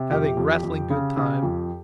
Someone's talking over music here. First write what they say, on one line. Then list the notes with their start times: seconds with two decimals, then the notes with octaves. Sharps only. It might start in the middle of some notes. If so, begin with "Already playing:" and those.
Having rattling good time.
Already playing: C3
0.11 F2 G4
0.37 F2
0.63 F2
0.90 C#3
1.17 C#3
1.43 F2